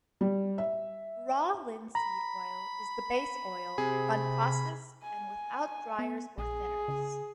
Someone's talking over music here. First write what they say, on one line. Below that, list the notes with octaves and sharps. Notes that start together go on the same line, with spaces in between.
Raw linseed oil is the base oil, unprocessed and without driers or thinners.
G3
E5
A#5 B5
C3 G#4
G#5
B3
A#1 G#4
C#3